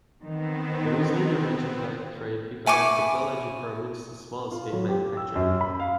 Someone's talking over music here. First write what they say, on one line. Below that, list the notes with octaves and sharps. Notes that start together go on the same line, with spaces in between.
There is little merchandise trade because technology permits small-scale manufacturing.
D#3 B3 C4
E4 G#5 C#6 D6
F4
F#3
G4
E6
F#2
B5
F5